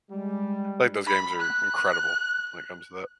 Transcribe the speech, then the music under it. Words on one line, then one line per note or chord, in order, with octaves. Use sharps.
like, those games are incredible when it comes to that.
G3 G#3
B5
F#6